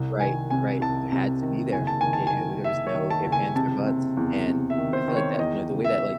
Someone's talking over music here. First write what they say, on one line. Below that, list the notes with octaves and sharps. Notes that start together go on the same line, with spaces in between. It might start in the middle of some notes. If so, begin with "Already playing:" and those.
Right, right, you had to be there, it there there was no if, ands, or buts, and I feel, like, that you know, the way that, like,
Already playing: C2
D#3 G#5
C3 G#5
C2 A5
C3
D#3
F#1 G#5
A5
D#3 G#5
A5
G#5
D#3
F#1 E5
C#5
D#3
A5
F#1
G#5
C3 A5
C3
E2
C3
E5
D#3
C5
D#3
C#5
E2 D#5
C#3
E5